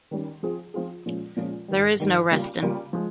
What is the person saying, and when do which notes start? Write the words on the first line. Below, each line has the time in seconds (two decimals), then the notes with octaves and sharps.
There is no resting.
0.11 D#3 G3 C#4
0.43 F3 C4 F4 G#4
0.74 F3 C4 F4 G#4
1.06 A#2 F3 G#3 C#4
1.36 A#2 F3 G#3 C#4
1.68 G#2 D#3 G3
2.00 G#2 D#3 G3
2.31 C#3 G3 A#3 F4
2.62 C#3 G3 A#3 F4
2.93 F3 G#3